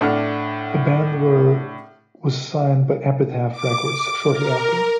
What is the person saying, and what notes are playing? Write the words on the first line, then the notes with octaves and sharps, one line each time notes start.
The band were was signed by Epitaph Records shortly after.
A2 D4 F#5 F6
D6
A#4